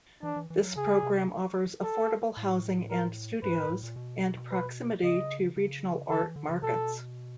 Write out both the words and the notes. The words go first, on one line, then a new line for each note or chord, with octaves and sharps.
This program offers affordable housing and studios, and proximity to regional art markets.
E3 D4
E3
E3
F#3
C#3 G#4
C3
A4
A2
A#4
G#2 B4
A2
A2
A#2
B2
B4
C#3 D#5
C#3
D3 A4
E3
D3
C#3
B2 A4